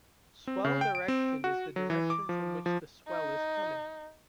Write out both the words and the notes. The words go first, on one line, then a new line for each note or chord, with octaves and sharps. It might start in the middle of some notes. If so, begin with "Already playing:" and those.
Swell direction is the direction from which the swell is coming.
C4
C#3
G5
D7
C4
F#4
F#3
E3
D6
F3
F3
D#4